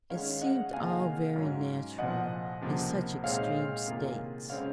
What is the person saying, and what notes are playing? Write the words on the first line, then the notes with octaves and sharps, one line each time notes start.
It seemed all very natural in such extreme states.
D#3 G#3 C#4 C#5 F5
D#5 F#5
C3 D#3 A#3 F4 G#4 F5 G#5
G#2 F#3 C#4 F#4
C2 A#2 F3 D#5 F#5
C#2 C3 F3 A#3
A#2 G#3 C4 D#4 C#5 F5
C3 D#3 A#3 F4 G#4
C#3 G#3 C4 D#4 C#5 F5